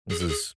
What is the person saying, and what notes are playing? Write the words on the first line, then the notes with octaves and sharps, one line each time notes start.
This is
G#4
A4
G#4